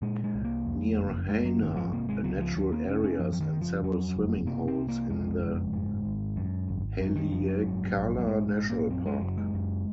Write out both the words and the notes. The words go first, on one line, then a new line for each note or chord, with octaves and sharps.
Near Hana are natural areas and several swimming holes in the Haleakala National Park.
A#2 G#3
G#3
C2
A#3
F2
F#1
F#2 G#3
F#3
G#1 D#3
F3
C3 A#3
G#3
C#2 F#3
F3
D#2 F#3
A#3
F1 C#4
C#4
F#2 F3
F3
D#3
F#1
F3
F2 F#3
F#1
C3 A#3
C4
C2
A#3
F2 G#3
F#1
G#2
G#1
F#2
G#1
F#2 F#3
D#3
F#1 F3
F#3
G#2
A#1
F#3
G#2 G#3
G#3
A#1
A#3
F#2 C4
G#3
F#1 F#3
G#3
F#2